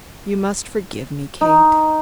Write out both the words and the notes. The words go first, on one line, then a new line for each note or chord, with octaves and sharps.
You must forgive me, Kate.
D#4